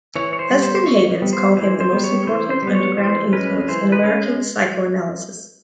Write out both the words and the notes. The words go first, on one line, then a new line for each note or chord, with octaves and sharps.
Leston Havens called him the most important underground influence in American psychoanalysis.
E3 C#5
C#5
C5
G3 B3
C5
C5
E3 C#5
G3 B3
C5
E3 C5
C5
G3 B3
C#5
E3 C5
C5
G3 B3
C#5
E3 C5
G#3 C#4 B4
E3 C5
B4
G#3 C#4